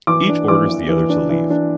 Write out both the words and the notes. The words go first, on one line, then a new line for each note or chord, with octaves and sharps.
Each orders the other to leave.
E3 D6
D4
E3 D6
E3
E3
D4
E3
D4